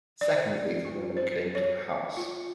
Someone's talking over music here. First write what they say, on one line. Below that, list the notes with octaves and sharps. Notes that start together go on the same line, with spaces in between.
Secondly the woman came to the house.
D5
C5
F4
C5
C#5
F4